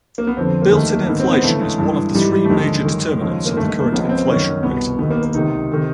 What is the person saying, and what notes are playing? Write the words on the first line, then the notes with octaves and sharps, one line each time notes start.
Built-in inflation is one of three major determinants of the current inflation rate.
A#3
B3
F2 D3 F3 C4
A#3
D#2 D#3 A3
A#3
G#2 D#3 B3
C4
B3
D2 C#3 E3 A3
G#3
G2 E3
G#2 E3 G3
A3
D#2 D3 F3 G#3
F#2 D#3
D#2 C#3 F3
A#3
G2 D#3 A3
A3
A#3
C#2 C#3 F3 B3
C4
F#2 D#3 C#4
C2 B2 B3
D#2 D#3 B3
A#3
A#3
C#2 C3 D#3 D#4
C3 D#3